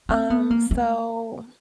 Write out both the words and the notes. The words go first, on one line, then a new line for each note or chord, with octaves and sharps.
Um, so
C4
B3
A#3
A3